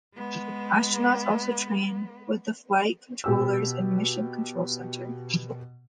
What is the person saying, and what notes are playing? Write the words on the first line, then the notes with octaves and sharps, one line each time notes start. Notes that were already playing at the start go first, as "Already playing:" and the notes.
Astronauts also train with the flight controllers in the Mission Control Center.
G#3 B3
B2 G4 E6